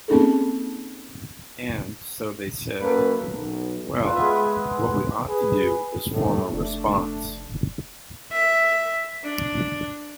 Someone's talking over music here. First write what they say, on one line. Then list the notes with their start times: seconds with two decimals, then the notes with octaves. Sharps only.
And, so, they said, 'Well, what we ought to do is form a response.
0.08 A#3 C4 C#4 D#4 G#4 A4
2.81 F#2 A#3 A4 B4
3.31 B1
4.04 F4 A4 B4
4.16 G#3 B3 E5
5.28 G#4 B4
6.12 A2 G3 A3
6.53 F1 A3 D4
8.31 E5
9.24 D4